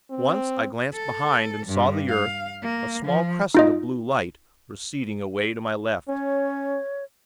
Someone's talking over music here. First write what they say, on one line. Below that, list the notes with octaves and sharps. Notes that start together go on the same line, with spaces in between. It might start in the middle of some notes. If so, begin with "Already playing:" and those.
Once, I glanced behind, and saw the earth, a small crescent of blue light, receding away to my left.
C4
A4
G2
F5
A#3
F3
D#4 F4 D#5
C#4 C#5